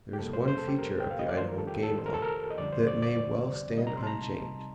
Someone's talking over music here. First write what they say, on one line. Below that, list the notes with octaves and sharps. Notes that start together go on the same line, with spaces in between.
There is one feature of the Idaho game law that may well stand unchanged.
G4
F2 C3 G3 A#3 A4
C5
C5
A4
G4
A#4
G5
F5
D#5
D5
F2 D#3 A3 D4 F4 C5
A#4
A4
G4
A4
C5
A#4
A4
A#4
D#5
F2 D3 G3 D4 D5
C5
D5
D5
C3 G3 C4 D#4 D#5
A#5
C6
A5
A#5